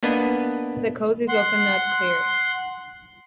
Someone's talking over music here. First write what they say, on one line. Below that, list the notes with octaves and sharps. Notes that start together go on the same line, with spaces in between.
The cause is often not clear.
A#3 B3 D4 B4 D#5
F#5 C6